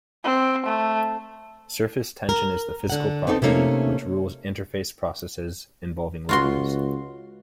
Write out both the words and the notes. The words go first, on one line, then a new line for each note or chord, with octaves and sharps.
Surface tension is the physical property which rules interface processes involving liquids.
C4
A3
A#4
D3 F#5
B3 C4 D#4 A4
C3 A3 A#3 C#4 D#4
C#2 F4 F#4 C6